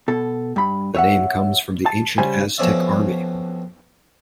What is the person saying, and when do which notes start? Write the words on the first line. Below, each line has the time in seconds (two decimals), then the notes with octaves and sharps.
The name comes from the ancient Aztec army.
0.08 B2 A4
0.56 G2 B5
0.95 C#5 E5 F#5
1.86 A5
2.18 C#3 G3 C5 G#5
2.58 F2 B2 C#4 D5 E5